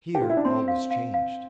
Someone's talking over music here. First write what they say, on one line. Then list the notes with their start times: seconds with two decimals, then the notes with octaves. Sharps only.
Here all was changed.
0.15 G4
0.22 F4
0.30 E4
0.37 D4
0.45 C4 C6
0.68 F5
0.91 F5
1.14 F5